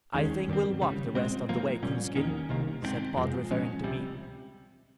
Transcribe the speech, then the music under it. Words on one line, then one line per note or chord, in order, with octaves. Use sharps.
"I think he'll walk the rest of the way, Coonskin," said Pod, referring to me.
D#2 D#3 G#3 C#4
G2 D#3 G3 C4
C#2 C#3 G3
A#2 G#3 C4
G#2 F3 A#3
A#2 G3 C#4
D#2 D#3 A#3 C#4
C2 C3 D#3 A#3
G#2 F3 C4
F2 C3 F3 G#3
A#2 F3 G#3 C#4
C#2 C3 G3